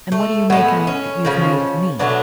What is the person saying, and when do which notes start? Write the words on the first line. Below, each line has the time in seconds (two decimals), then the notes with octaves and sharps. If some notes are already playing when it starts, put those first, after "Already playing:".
"And what do you make out that you've made of me?"
0.12 A3
0.50 A2 G#3 B3
0.87 C#4
1.25 C#3 F3 G#3
1.99 B2 F#3 A3 D4